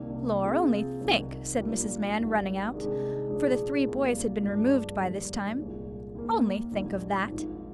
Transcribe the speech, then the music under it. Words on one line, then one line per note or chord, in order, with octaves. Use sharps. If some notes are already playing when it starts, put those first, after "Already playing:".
'Lor, only think,' said Mrs. Mann, running out,--for the three boys had been removed by this time,--'only think of that!
Already playing: C2 C3 D#3 A#3 D4
C3 F3 C4 F4 G#4
C2 C3 D#3
A#1 A#2 G3 A#3
G#1 G#2 G3
C3 D#3 G#3 D4 G#4
A#1 A#2 G#3 D4 G#4
C2 C3 G3 A#3 F4
G2 F3 G#3 D4
F1 D#2 D#3 G3 A#3
C2 A#2 G#3
D#2 D#3 A#3
A#1 G#2 D#3 G3
G#1 G#2 F3